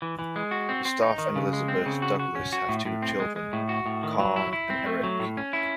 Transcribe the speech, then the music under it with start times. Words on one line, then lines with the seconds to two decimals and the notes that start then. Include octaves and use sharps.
Gustaf and Elisabeth Douglas have two children, Carl and Eric.
0.02 E3
0.19 E3
0.36 G#3
0.51 F#4
0.69 C4
0.85 C4
1.02 D#4
1.18 D#3
1.36 C#3
1.53 G#3
1.68 C4
1.86 C#3
2.02 F#4
2.19 F#4
2.35 C#4
2.52 F#4
2.69 A2
2.85 A2
3.02 C4
3.20 G#3
3.36 G#3
3.53 A2
3.69 F#4
3.86 A2
4.03 D#3
4.19 F#3
4.36 E4
4.53 E4
4.70 C4
4.86 A3
5.03 F#3
5.19 A2
5.37 C#4
5.53 E4